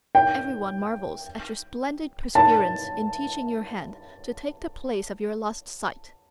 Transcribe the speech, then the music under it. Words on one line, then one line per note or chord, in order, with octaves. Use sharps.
Every one marvels at your splendid perseverance in teaching your hand to take the place of your lost sight.
G5
A5